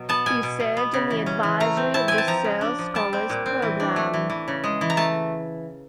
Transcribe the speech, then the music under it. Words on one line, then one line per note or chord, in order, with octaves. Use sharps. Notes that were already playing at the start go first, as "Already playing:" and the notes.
He served in the advisory of the Searle Scholars Program.
Already playing: B2 F#3
B3 A5
B2 G#5
B2
B2
B3
C#3
E3
C#4
E3
A3 A#5
C4
E4 A5
C4 G#5
A5
F3 A#5
C#3
D4
F3
G3 A5
C4
A#2
C4
E3
D4
A3
E3
E3
C#3
G#3
E3
A#5
A3 A5